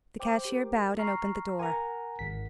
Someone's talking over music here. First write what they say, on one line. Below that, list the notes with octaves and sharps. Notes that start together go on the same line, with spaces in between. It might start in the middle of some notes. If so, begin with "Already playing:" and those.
The cashier bowed and opened the door.
C5 G5 D6
G4 A#4
A#5 C#6 F6 C7
A#4 F#5 G#5 A#5
G#1 B6